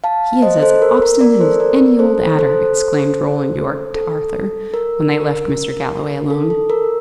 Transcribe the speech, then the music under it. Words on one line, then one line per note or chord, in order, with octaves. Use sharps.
"He is as obstinate as any old adder!" exclaimed Roland Yorke to Arthur, when they left Mr. Galloway alone.
F5 A5
C5 D#5
A4 C5
A#4
A#4
A#4 D5
A4 C5
A#4 D5
A4 C5
A4 C5
A4
A#4
A4
A4
A#4